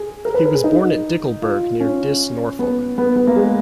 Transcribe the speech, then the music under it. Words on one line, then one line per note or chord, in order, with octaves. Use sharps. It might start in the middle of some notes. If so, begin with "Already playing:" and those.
He was born at Dickleburgh, near Diss, Norfolk.
Already playing: G#4
A#4
B4
A#4
G#4
D#4
F4
C#4
B3
B3
B3
A#3
G#3